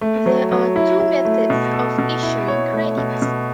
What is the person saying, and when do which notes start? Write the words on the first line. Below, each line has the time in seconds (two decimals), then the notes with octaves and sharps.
There are two methods of issuing credit.
0.01 A3
0.26 F#3
0.51 F#3
0.76 E4
1.00 E4
1.25 A3
1.50 B2
1.74 A4
1.98 B2
2.23 E4
2.48 C#5
2.73 A3
2.97 B2
3.22 B2